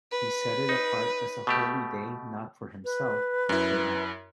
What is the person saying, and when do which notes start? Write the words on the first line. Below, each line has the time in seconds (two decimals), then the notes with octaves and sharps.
He set it apart as a holy day not for Himself, but for them.
0.11 B4
0.69 D#4
1.47 B2 A3 G4
2.85 B4
3.49 F#2 E4